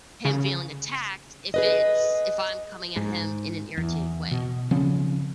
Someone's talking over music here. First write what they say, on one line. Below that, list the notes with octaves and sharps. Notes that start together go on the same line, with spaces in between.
him feeling attacked if it's if I'm coming at him in an irritated way.
C#3
G#4 B4 D#5
G#2
E2
B2
C#3 F3 C4 C#4